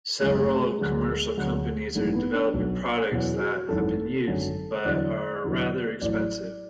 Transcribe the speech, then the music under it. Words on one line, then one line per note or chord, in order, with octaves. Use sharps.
Several commercial companies are developing products that have been used, but are rather expensive.
F#1 F#2 C#3 F#3 G#3
A3
G#3
D2 D3 F#3 G#3
D2 D3 F#3
G#1 F#2 E3 A3
B3
D4
B1 B2 F#3
E2 B2 F#3 C#4
G#4
F#4
G#1 F#2 E3 A4
G#1 F#2 D3 F#3
E2 D3 F#3 D5
E2 D3 F#3
A1 A2 F#3 D5